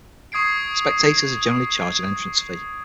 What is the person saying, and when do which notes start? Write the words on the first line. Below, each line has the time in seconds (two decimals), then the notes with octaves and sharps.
Spectators are generally charged an entrance fee.
0.32 C#6 D#6 G#6 C7 D7